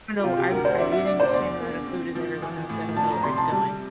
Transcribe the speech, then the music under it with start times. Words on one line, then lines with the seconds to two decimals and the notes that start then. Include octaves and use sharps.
I know I'm I'm eating the same amount of food as everyone else, I don't know where it's going.
0.19 G4
0.24 C3 F4
0.37 G4
0.51 D2 A#4
0.65 C5
0.78 D4 E5
0.92 E5
1.05 D4 D5
1.20 C5
1.32 E2 D5
1.60 A#3
1.87 C4
2.15 F3
2.42 E3
2.69 A2
2.96 F3 A5
3.10 A#5
3.23 C3 C6
3.37 A5
3.51 G3 A5